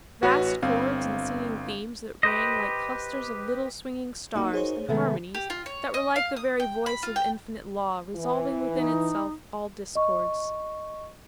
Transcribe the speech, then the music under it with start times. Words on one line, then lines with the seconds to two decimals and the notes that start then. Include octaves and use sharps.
Vast chords and singing themes that rang like clusters of little swinging stars and harmonies that were like the very voice of infinite law resolving within itself all discords.
0.22 A1 F#4 B4 C#5 A#6
0.62 G1 C4 F5
2.23 G4 B4 C5 D#5
4.36 A#3 D#4 F#4 A#4
4.53 G#4 C5 C#5
4.89 C3 D#3 G#3 A3 B3
5.34 G4
5.50 F4
5.66 C#5
5.94 D#5
6.16 F5
6.36 D#6
6.60 G5
6.86 B5
7.03 F4
7.16 G5
8.13 E3
8.73 D#4
9.95 D#5 C#6